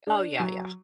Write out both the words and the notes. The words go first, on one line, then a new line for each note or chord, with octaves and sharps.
Oh, yeah, yeah.
D4
F#3